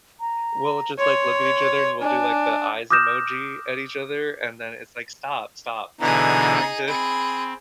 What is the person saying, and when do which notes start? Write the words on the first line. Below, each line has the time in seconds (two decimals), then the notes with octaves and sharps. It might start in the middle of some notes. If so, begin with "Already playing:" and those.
We'll just, like look at each other, and we'll do like, the eyes emoji at each other, and then it's like, "Stop, stop, stop. I'm trying to"
0.20 A#5
0.99 C#5 C6
2.01 D4 G#5
2.91 D6 D#6 F6 G6 A#6 E7
6.00 B2 D3 E3 D#4 G#4 A#5
6.88 C4 G#4 B5